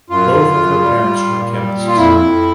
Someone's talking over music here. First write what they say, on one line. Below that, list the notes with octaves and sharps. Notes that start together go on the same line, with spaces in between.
Both of her parents were chemists.
F#2 F4
F#2
F#2
G3
G3
A#2
G3
A#2
F4
F2 E4
F2